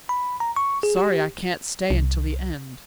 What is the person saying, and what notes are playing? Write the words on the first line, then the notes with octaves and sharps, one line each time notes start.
Sorry I can't stay until the end.
B5
A#5
C#6
G#4
G4
C2